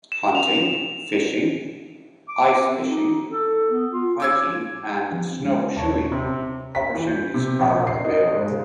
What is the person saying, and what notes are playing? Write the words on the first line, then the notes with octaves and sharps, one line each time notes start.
Hunting, fishing, ice fishing, hiking and snowshoeing opportunities are available.
E7
F7
D6
C4
D#4
A4
B3
F4
D6 E6 G#6
F3 C4
C#3 G#3
D#1 C#5 A5
C3
B6
E3
G6
C3
A#1
C7
D#4
G#2
C#3